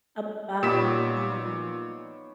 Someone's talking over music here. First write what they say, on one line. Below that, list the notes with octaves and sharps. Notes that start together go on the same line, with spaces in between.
about, um
A#2 B3 D#4 G4 C#5 B6 E7